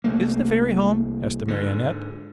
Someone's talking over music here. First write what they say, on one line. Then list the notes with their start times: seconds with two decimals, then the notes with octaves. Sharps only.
"Is the Fairy home?" asked the Marionette.
0.04 C2 A3 A#3
1.48 G#2 D3